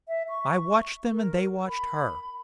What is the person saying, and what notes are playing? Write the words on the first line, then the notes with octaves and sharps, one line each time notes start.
I watched them and they watched her.
E5
C#6
A#4
B5